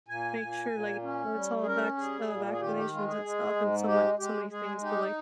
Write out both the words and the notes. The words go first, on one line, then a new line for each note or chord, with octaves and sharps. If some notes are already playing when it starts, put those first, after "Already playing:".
make sure, like, it's all vax uh, vaccinations and stuff and somewhat so many things. But, like,
A#2 G#5
A#2
A#2
C#4
G3
G#4
C#4 A#4
G3 G#4
A#2
G#4
D#3 G4
G4
G#3 F4
G#4
G#3
G#2
G#3 G4
G#3 G4
G#3 G#4
D#4 G4